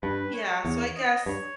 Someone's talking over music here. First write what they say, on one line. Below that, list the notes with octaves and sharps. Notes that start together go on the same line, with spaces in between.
Yeah. So, I guess,
G2 B4
C#5
E2
D#5
G2 C#5